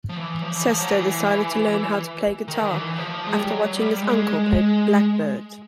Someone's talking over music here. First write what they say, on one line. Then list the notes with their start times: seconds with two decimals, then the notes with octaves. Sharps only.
Cester decided to learn how to play guitar after watching his uncle play "Blackbird".
0.09 F3
0.17 E3
0.42 F3
0.55 E3
0.67 F3
0.80 F#3
0.94 E3
2.48 D#3
2.74 E3
2.98 F3
3.27 G#3
3.39 G3
3.50 F#3
3.76 G3
4.02 G#3